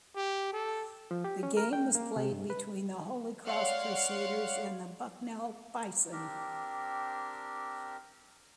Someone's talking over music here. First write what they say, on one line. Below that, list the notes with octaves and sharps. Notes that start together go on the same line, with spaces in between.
The game was played between the Holy Cross Crusaders and the Bucknell Bison.
G4
A4
F3
G4
C#4
A#4
G5
A#3
C3
G2
B4
C#5 D5 F5 F#5 C6 F6
C4 D4 G4 A#4